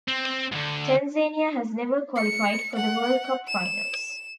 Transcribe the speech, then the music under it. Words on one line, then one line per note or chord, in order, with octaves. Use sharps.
Tanzania has never qualified for the World Cup finals.
C4
D2 G#2
C#7
F#5
E7